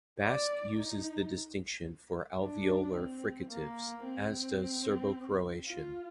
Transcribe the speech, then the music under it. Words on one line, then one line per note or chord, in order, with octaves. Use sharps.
Basque uses the distinction for alveolar fricatives, as does Serbo-Croatian.
D5
D#4
D4
C4
A#3
C4
F4